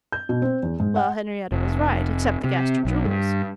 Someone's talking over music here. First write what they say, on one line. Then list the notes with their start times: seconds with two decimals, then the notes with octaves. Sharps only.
Well, Henriette was right--except the Gaster jewels.
0.12 G6
0.29 B2
0.42 C4
0.63 E2
0.80 G#2
0.96 F#5
1.52 F1
2.44 C3
2.85 B1
3.05 G2